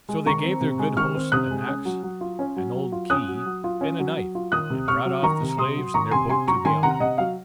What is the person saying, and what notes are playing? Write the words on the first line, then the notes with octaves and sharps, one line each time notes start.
So they gave their good hosts an axe, an old key, and a knife, and brought off the slaves in their boat to the isle.
G#3
D#3 A#5 C#6
C4
C3
G#3
D#3 C#6 F6
C4
C3 D#6 F#6
G#3
C#4
F#3
F#3
F4
C#4
F#3
F#3
F4
C#4 D#6 F#6
F#3
F#3
F4
C#4
F#3
F#3
F4
D#3 D#6 F#6
C3
C3 C#6 F6
F#3
D#3 A#5 C#6
C3
C3 C6 D#6
F#3
D#3 A#5 C#6
C3 G#5 C6
C3 G#5 C6
F#3 A#5 C#6
D#3 G#5 C6
C3 F#5 A#5
C3 D#5 F#5
F#3 F5